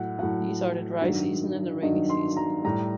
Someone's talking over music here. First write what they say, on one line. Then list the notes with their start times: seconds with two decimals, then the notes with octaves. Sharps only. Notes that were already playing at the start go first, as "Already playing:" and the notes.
These are the dry season and the rainy season.
Already playing: A2 F#3 F#5
0.18 A2 F#3 F#5
1.01 G2 D#3 F#3
1.82 G2 D#3 F#3 D#5
2.09 C6
2.37 A#5
2.64 A2 G3 A#5